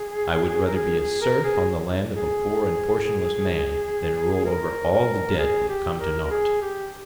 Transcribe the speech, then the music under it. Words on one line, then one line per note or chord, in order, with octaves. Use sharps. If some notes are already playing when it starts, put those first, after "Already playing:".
'I would rather be a serf on the land of a poor and portionless man than rule over all the dead who have come to nought.'
Already playing: G#4
A#4
G#4
G#4
A#4
G#4
G#4
A#4
A#4
G#4
G4
A#4
A#4
G#4
G4